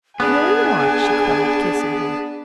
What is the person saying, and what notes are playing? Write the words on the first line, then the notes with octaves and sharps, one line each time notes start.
"No, you aren't," she cried, kissing him.
B3 D4 G#4 G#5